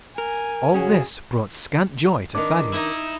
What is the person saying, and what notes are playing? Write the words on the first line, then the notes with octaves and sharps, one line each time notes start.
All this brought scant joy to Thaddeus.
A#4 G#5
F#2 C#3 F#3 C#4 F#4 G#4
D#3 B3 D4 D6
D#4 E4